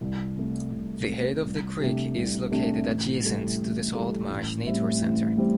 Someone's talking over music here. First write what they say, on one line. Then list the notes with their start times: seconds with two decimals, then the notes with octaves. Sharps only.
The head of the creek is located adjacent to the Salt Marsh Nature Center.
0.01 C2
0.37 C3 A3
0.71 C2
1.08 C3 A3
1.44 C2
1.79 C3 A3 D4 G4
2.15 C2
2.52 C3 A3 D4 G4
2.87 A1
3.22 A2 G3 E4 A4
3.59 A1
3.94 A2 G3 E4 A4
4.29 A1
4.66 A2 G3 C4 E4
5.02 A1
5.37 A2 G3 C4 E4